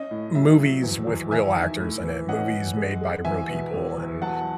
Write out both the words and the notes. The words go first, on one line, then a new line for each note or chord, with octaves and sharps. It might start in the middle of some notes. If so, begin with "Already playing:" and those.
movies with real actors in it. Movies made by real people and
Already playing: C#4 D#5
A2
F#3 E5
F#3
E2
E2
E2 E5 G#5
D#3
A2
E3
C#4 D#5 F#5
E3
G#3
G#3
E2 E5 G#5
B2
E2
E2
F#3 F#5 A5